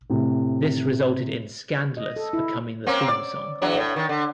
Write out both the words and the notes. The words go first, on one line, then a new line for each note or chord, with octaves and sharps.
This resulted in "Scandalous" becoming the theme song.
A2 C3
D#5
A4
E4
A#3 C4 C#4
D5
E2 F#3 D4
A2
D#3
D3